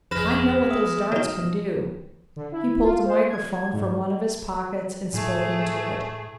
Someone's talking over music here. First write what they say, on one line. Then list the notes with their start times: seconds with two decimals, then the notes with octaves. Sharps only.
"I know what those darts can do." He pulled a microphone from one of his pockets and spoke into it.
0.11 G1 F2 G#3 B4 F6 A#6 E7
0.70 B3 E5 D#6
1.12 F#3 D#4
2.36 D3
2.52 E4
2.82 F4
3.05 C5
3.30 G#6
3.73 G#2
5.14 A2 A3 G#4